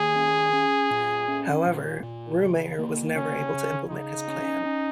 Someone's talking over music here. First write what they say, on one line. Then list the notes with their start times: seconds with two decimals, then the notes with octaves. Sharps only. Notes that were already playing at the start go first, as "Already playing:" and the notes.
However, Ruemayr was never able to implement his plan.
Already playing: D#3 A#3 G#4
0.15 C#4
0.53 C#4
0.91 A#2
1.28 C#4
1.66 A#2
2.03 A#2
2.41 C#3
2.79 A#3
3.15 C#3 C#4
3.54 C#3
3.90 C#3 D#4
4.28 C#4
4.65 C#4